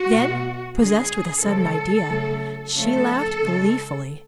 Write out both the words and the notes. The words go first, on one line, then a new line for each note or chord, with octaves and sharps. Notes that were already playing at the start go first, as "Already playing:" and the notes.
Then, possessed with a sudden idea, she laughed gleefully.
Already playing: F#4
B2 A3
D3 G#3 G#4
C#3 F3 G#3 A4
C#3 F#3 A3
C#3 F3 A3 A4
C#3 G#3